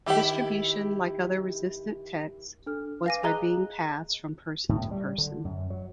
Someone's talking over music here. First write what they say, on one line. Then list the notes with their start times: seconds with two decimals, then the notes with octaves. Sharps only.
Distribution, like other Resistance texts, was by being passed from person to person.
0.06 D#3 G3 E4 G4 G5
2.66 D4 A4 F6
3.06 B4 F5 G#5 D6 A#6 D#7
3.23 G#4 D#5 A#5 F#6 G7
4.69 A2
4.91 G3
5.18 D3
5.45 F#2
5.70 F#3